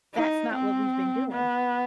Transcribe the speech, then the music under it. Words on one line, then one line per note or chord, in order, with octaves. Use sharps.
That's not what we've been doing.
D#4
C4
B3